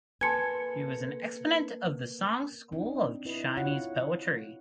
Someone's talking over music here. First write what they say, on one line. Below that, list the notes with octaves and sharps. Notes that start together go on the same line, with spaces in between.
He was an exponent of the Song school of Chinese poetry.
A#3 A4 B4 G#5 A5 C6 G#6 C#7
C4 D4 D#4
E4 B4 D#5
F4 F#4 C#5 F#5